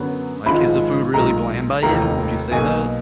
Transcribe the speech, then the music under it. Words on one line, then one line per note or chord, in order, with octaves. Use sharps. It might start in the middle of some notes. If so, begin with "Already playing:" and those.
Like, is the food really bland by you? Would you say that?
Already playing: F#2 D3 F#3 B3
G#1 G#2 F3 G#3 B5
B1 A#2 G#3 A#5
F1 D#2 D#3 A#5
B1 B2 A#3 G#5